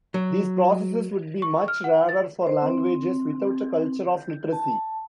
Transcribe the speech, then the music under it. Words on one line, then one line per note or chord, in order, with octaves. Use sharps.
These processes would be much rarer for languages without a culture of literacy.
F#3
C#6
F6
F#5
A6
C5
C4
A5